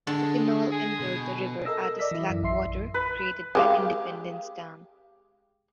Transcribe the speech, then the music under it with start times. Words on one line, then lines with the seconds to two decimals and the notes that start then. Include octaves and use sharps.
The canal entered the river at a "slackwater" created by Independence Dam.
0.07 D3 G#3
0.72 G#4
1.00 B2
1.65 A4 A#4 D#5 E6 A#6
1.99 D5 D#5 E6 B6
2.11 E3 E4
2.30 F#2
2.43 A#1 E5 C6 C7
2.94 B4
3.55 G#3 G4 F5